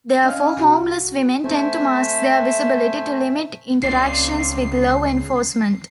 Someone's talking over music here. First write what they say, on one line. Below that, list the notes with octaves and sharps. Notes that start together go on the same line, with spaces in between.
Therefore, homeless women tend to mask their visibility to limit interactions with law enforcement.
C#4 D#5 F5 G#5 F6
C2 F#4
A3 C4 C5 E5 G#5
C#2 C#3 C4 C5 D5 C7